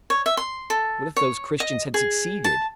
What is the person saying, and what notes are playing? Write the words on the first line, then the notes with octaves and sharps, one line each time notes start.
What if those Christians had succeeded!...
C#5
E5
C6
A4
C#5
D#5
G#4
A5